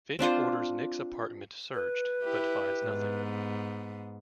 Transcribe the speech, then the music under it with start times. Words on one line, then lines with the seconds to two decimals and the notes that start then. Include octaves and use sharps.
Fitch orders Nick's apartment searched, but finds nothing.
0.19 C4 D4 F4 C5
1.74 B4
2.22 E4 G4
2.86 G#2 B3